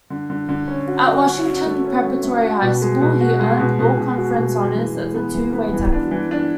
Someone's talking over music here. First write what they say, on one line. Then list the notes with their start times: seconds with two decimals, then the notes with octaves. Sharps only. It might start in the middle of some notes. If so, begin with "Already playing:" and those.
At Washington Preparatory High School he earned All-Conference honors as a two-way tackle.
0.10 D3
0.30 D3
0.49 D3
0.68 C#4
0.87 F#4
1.06 F#4
1.27 C#4
1.45 F#4
1.66 A3
1.84 C#4
2.04 A3
2.23 A3
2.42 F#4
2.62 B2
2.82 G#3
3.01 B2
3.20 F#4
3.40 G#3
3.59 B2
3.79 B2
3.98 B2
4.17 F#4
4.37 B2
4.56 G#3
4.75 E3
4.95 E3
5.15 B3
5.34 E3
5.53 B3
5.73 E3
5.93 D4
6.11 E3
6.31 D4